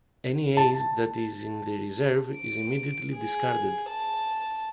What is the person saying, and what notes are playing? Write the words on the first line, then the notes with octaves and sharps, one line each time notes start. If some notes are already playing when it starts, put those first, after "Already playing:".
Any ace that is in the reserve is immediately discarded.
A5
D7
G#4
A5